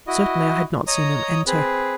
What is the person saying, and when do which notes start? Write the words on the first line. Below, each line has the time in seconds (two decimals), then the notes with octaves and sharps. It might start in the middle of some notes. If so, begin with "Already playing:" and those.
Certainly, I had not seen him enter.
0.07 E4 F#4 D#5
0.87 C#5 D#5 A#5 D#6
1.47 C4 G#4 B4